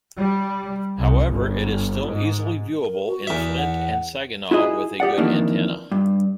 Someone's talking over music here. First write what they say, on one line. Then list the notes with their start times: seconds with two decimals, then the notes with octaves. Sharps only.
However, it is still easily viewable in Flint and Saginaw with a good antenna.
0.16 G3
0.99 C2
1.27 G1
2.03 G#2
2.83 A#4
3.07 F#4
3.27 E2 B4 E5
3.58 F#5
4.51 E4 F#4 G#4 D#5
5.00 G4 G#4 D5 F#5
5.17 F2 D#3 E3 A#3 D4
5.92 G2